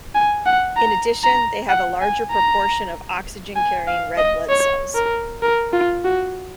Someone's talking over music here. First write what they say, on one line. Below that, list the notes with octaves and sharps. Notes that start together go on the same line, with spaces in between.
In addition, they have a larger proportion of oxygen-carrying red blood cells.
G#5
F#5
A#5
A#5
F#5
G#5
A#5
G#5
F5
D#5
C#5
A#4
A#4
F4
F#4